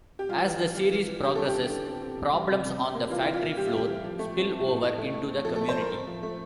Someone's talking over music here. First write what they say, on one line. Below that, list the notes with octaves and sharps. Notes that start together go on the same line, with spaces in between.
As the series progresses, problems on the factory floor spill over into the community.
G4
G3 F4
E3
E3
G3
E3
E3
D3 G4
G3 A4
G4
D3
D3
C4
C4
C3
G3
C3
C3
C3
A#3
E3 F4
E3 E4
F4
A#3
G3 G4
F4
G3 G4
E3
F3
A3
C4
C4
A2
A2
A3
A3
C4
F3 A4
A4
A3
C5
A3 A#4
C4
F3
A3